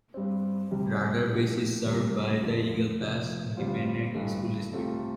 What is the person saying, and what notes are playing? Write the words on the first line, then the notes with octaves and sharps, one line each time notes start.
Radar Base is served by the Eagle Pass Independent School District.
G2 G3 C4
D2 C3 G3
A2 F3 D4 G4
D2 C3 G3
F2 D3 F3
F1 F2 F3
G1 G2 G3 C4 F4
A1 G2 D3 A3
C2 C3 A3 F4